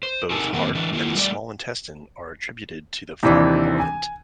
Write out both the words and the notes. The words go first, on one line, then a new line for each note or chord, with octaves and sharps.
Both Heart and Small Intestine are attributed to the Fire element.
C5
D#4 G4 A4 A#4 G#5 A5
F2 D#3 A#3 C4
D3 E3 D4
D#3 A#3 E4 F4
G3 A3 D5
D#2 C3 E3 D4
G#5